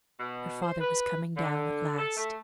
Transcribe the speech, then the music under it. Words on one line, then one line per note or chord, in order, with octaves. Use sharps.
Her father was coming down at last.
B2
C5
B4
D3
A4
A3